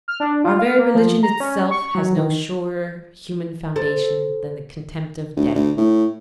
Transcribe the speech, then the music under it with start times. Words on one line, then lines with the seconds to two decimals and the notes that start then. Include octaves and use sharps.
Our very religion itself has no surer human foundation than the contempt of death.
0.08 F6
0.20 D4
0.44 F4
0.59 F5
0.79 A#3
0.95 F3
1.23 A#5
1.40 C#4
1.71 C#6
1.95 F#3
2.16 D#3
3.76 A4 C5
5.37 D2
5.55 D2
5.78 A2